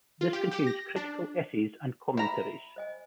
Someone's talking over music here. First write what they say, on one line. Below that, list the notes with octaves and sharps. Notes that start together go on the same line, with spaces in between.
This contains critical essays and commentaries.
F4
G4
G4
A#6
D4
E4 A#5 B5
C5 D#5 G#5